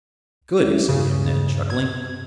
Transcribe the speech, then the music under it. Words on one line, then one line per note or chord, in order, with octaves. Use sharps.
"Good!" exclaimed Ned, chuckling.
G#3 C#4 E4
G2 C#3
G#6